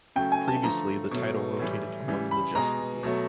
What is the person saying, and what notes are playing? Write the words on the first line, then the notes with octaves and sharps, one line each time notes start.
Previously the title rotated among the justices.
C#3 F#3 A3 G5
G#5
A5
D3 F3 A3 A#5
B2 F#3 A3
A2 E3 G3
C#3 E3 G3
B5
B2 G#3 A#5
B2 F#3 A3